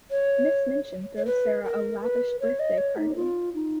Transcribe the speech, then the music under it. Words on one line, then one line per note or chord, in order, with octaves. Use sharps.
Miss Minchin throws Sara a lavish birthday party.
C#5
C#5
B4
A#4
B4
C#5
D#5
C#5
D#4
F4
D#4